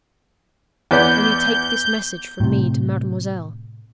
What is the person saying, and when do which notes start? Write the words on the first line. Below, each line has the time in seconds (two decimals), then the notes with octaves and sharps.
Only take this message from me to mademoiselle.
0.91 E2 B3 D5 G6
2.40 A2 C3